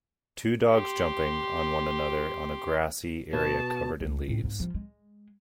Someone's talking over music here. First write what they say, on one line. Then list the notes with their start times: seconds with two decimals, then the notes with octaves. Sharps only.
Two dogs jumping on one another on a grassy area covered in leaves.
0.70 G4 C6
3.33 B2 A5
4.01 C#2
4.28 A2 C4
4.44 G#2 A#3
4.59 F3 G3
4.75 G#3